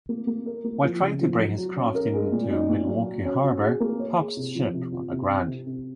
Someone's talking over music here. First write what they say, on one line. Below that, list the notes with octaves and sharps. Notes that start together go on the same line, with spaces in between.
While trying to bring his craft into Milwaukee harbor, Pabst's ship ran aground.
A#3
A#3
A#4
A#3
F3
C#3
F3
F#3
F#3
C#4
A#4
G#3
A#2
D#4
A#2
F#3
F#4
C#4
F#4
G#4
A#3
C#5
G#4
C3
F3
C3
F4
C3
C4
C3
C3